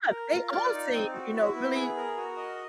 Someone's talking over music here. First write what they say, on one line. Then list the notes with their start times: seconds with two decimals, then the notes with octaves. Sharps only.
Yeah, they all seem, you know, really
0.10 A#4
0.32 F4
0.52 D5
0.72 D#4
0.94 C4
1.14 F#4
1.34 E4
1.54 B3
1.75 G#4
1.96 A#4
2.17 F#4
2.37 D#5